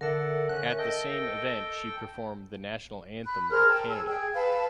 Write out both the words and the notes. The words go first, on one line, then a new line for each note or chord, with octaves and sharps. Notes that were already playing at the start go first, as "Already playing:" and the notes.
At the same event she performed the national anthem of Canada.
D3 A4 A#4 D5 E5 F#5
C#4 F#6
A4 D#5 G5
B5 F#6
G#4 A#4 C5 F6
G5 A5
G#4 E6
G#4 G5
B4 F5 A5